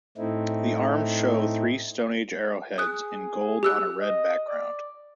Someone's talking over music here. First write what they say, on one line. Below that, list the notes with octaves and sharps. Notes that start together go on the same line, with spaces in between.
The arms show three Stone Age arrowheads in gold on a red background.
A2 A3 C4 D#4 E4
G#4 D#6 F#6
G4 E6 F#6
D#5
D5